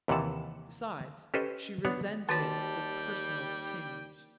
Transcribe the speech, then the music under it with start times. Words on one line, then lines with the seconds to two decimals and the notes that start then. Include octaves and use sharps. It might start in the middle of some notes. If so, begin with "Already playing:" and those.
Besides, she resented the personal tinge.
0.08 D#2 C3 E3 F#5 A5
1.34 C#4 G4 A4 B4 C5 D#5
1.85 B3 D4 C#5 F#5
2.29 D#2 D#3 G3 F#4 C#5 G5 A5